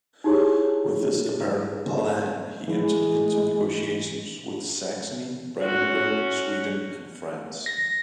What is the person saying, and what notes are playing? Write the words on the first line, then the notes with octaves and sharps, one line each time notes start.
With this apparent "plan" he entered into negotiations with Saxony, Brandenburg, Sweden, and France.
D#4 E4 G4 G#4 C#5
E3 G#3
C#4 F#4
A#6